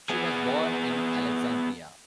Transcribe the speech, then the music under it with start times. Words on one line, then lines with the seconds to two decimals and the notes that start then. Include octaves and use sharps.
She was born in Alexandria.
0.09 B3 G#4